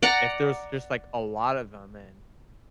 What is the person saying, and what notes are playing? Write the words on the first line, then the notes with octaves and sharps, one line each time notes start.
if there's just, like, a lot of them, and
D5 F#5 A#5